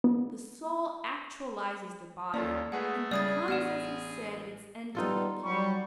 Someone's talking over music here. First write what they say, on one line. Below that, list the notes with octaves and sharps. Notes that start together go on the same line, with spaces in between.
The soul actualises the body, and becomes, as he said, its entelechy.
B3
D#2 A#3 C#4 F4 A4 D5
G#3 A3 G#4 B4 F#5
C#3 G3 E4 G#4 D5 D#6 A6
A1 B3 D4 D5 F#5 F6 E7
G3 B3 D#4 F4 A4
F#3 G3 C#6